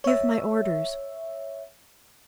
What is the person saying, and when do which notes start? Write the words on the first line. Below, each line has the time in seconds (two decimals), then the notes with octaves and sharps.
Give my orders.
0.04 C#5 E5